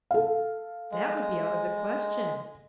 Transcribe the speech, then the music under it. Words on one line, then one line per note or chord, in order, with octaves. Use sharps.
"That would be out of the question."
A4 F5
G#3